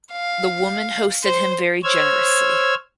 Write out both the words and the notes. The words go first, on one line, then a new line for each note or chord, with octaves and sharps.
The woman hosted him very generously.
F5
C5
C5 C#5 E6 F6 G#6